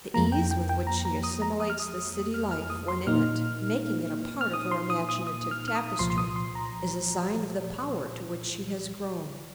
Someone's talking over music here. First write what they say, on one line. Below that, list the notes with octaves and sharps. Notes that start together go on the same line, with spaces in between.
The ease with which she assimilates the city life when in it, making it a part of her imaginative tapestry, is a sign of the power to which she has grown.
F2 F3 A#3 A#5
G5
G5
G5
A#5
A#5
D#6
A#5
D#6
F6
D#6
F6
F6
D#6
C6
A#2 A#3 D#4 F6
F6
D#6
C6
D#6
D#6
D#6
F6
F6
D#6
C2 A#2 F3 C6
C6
D#6
C6
A#5